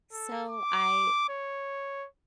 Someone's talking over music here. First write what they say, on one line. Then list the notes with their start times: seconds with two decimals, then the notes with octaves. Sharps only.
So, I
0.13 A4
0.50 D6
1.29 C#5